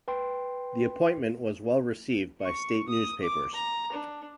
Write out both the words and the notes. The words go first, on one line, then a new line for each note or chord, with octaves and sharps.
The appointment was well received by state newspapers.
B4 G5 C6
C#6
D#6
D6
A#5
D4